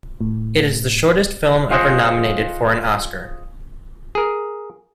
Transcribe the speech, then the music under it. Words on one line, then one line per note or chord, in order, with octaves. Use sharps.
It is the shortest film ever nominated for an Oscar.
A2
F4 G#4 C5 D#5 F#5
G#4 A#4